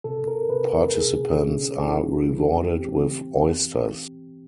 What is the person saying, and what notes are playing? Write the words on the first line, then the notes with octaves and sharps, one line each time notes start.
Participants are rewarded with oysters.
C3 A4
A#4
C3 B4
A#4
B2 G#4
C#4
E4
E3
C4 G4